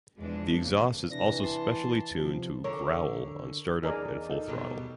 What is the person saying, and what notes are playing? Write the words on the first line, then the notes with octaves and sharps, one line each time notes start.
The exhaust is also specially tuned to "growl" on start-up and full throttle.
E2 B2 F3 G#3 D4
C#3 E3 G3 A#3
C3 E3 D4 A#6
A5 C6
C3 F3
D3 A#4 C#5
E2 D#4 G#4 A#4 D5
D#4 A4
B2 F#3 G3